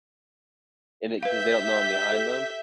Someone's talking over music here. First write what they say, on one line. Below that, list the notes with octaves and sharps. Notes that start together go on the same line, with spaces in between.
and it 'cause they don't know I'm behind them,
G4 B4 E5 F5 G6 B6
A4